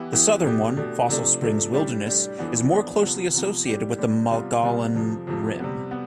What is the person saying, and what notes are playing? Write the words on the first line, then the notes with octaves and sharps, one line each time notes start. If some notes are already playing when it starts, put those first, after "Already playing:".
The southern one, Fossil Springs Wilderness, is more closely associated with the Mogollon Rim.
Already playing: E3 B3 E4 G4
E3 B3 E4 G4
B2 A3 D4 G4
B2 A3 D4 G4
C3 F3 A3 D4
C3 F3 A3 D4
A2 G3 D4 G4
A2 G3 D4 G4
F2 E3 B3 D4
F2 E3 B3 D4
C3 F3 B3
C3 F3 B3
A2 G3 D4 G4
A2 G3 D4 G4
C3 G3 B3 F4
C3 G3 B3 F4
F2 C3 F3
F2 C3 F3
C3 G3 B3
B3